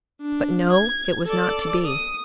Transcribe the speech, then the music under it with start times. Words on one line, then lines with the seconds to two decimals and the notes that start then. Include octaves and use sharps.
But no, it was not to be.
0.21 D4
0.71 G#6
1.26 A4 D5
1.85 D#6